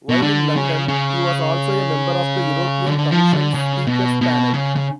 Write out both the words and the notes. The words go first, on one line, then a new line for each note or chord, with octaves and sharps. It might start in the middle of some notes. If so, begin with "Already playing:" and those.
While in London he was also a member of the European Commission's Speakers Panel.
B2
D3
C#3
C#3
D3
F3
D3
C#3
B2
B2
C#3
C#3